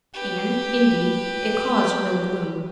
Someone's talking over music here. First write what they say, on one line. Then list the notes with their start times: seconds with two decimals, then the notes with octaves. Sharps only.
And, indeed, it caused no gloom.
0.14 G4 B4